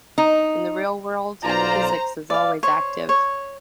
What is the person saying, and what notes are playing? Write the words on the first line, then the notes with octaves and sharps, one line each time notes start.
In the real world, physics is always active.
D#4
B1 F4 C5 D5 A#5
D5 F5
C5 C#5
C#5